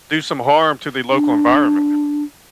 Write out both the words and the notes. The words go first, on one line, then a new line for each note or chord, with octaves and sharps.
do some harm to the local environment.
D4